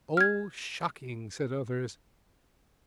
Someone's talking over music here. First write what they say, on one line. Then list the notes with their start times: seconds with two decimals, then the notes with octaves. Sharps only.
"Oh, shocking!" said others.
0.17 F6 G#6